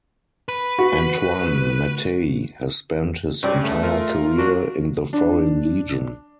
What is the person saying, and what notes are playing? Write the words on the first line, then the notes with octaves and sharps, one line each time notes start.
Antoine Mattei has spent his entire career in the Foreign Legion.
B4
F#4
G2 C3 C4 C#4 D5
A3
F4 A#4
A#3 D4 F#4
D4